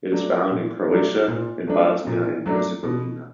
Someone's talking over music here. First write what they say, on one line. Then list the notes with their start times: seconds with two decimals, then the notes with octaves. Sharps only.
It is found in Croatia and Bosnia and Herzegovina.
0.12 F#3 A3 D4
0.50 A#2
0.90 F#3 A3 D4
1.28 A#2
1.67 F#3 A3 D4
2.07 A#2
2.46 F#3 A3 D4
2.84 B2